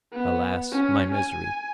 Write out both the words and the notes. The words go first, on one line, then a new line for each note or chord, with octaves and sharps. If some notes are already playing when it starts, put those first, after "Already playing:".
'Alas! my misery!
B3
C#4
G#5